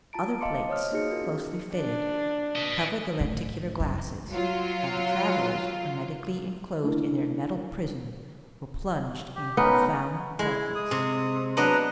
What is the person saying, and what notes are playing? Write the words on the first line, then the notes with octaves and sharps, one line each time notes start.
Other plates, closely fitted, covered the lenticular glasses, and the travelers, hermetically enclosed in their metal prison, were plunged in profound darkness.
F4 A5 A#5 D7
D#5 F5 A5 C6 D6 C#7
C5 C#5 D#5 D#6 F6
A#3 D#4 F#4 G#4 C#7
D#4 F4 F#4 G#4 A#4
C#4
D4
B4 D#5
A2
F#2
F#3 F4
A3 D4 E4 A#4
G4
B3 C#4 D#4 A#4
G#3 E4
D#6
C3
F#3 B3 D4 B4 D#5 A#5